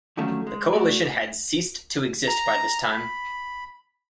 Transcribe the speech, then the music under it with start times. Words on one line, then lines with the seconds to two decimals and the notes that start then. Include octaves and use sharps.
The coalition had ceased to exist by this time.
0.17 D3 D#3 F3 F#3 A3 C#4
0.47 G#3
0.73 A3 F#4 D5
2.28 A#5
2.83 B5